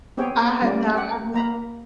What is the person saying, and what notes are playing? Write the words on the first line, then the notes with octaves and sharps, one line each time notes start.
I have not I've no
B3 C4 G4 G#4 C#5 G5
G3 C#4 F4 D5
G4 F#5
A#3 A#5 B5